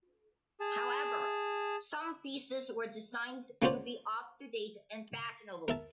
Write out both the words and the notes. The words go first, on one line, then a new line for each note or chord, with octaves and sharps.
However, some pieces were designed to be up to date and fashionable.
G#4 A5
A#3 C#4 F4 F#4 C5 D5
A#4 E5 A5